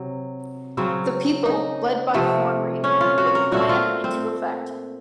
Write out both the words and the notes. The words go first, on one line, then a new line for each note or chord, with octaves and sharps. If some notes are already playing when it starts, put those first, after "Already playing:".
The people, led by Fornri, put the Plan into effect.
Already playing: C3 F#3
C#3 F#3 C4
D#4
C3 F3 A3
C#4
F4
F#4
A#4
A#2 A3 C4 F#4
F4
C4